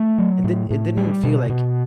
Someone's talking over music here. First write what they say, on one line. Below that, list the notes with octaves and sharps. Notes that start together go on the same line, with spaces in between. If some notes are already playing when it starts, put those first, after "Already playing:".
it did it didn't feel, like,
Already playing: A3
F#3
A2
A2
G3
B2
B2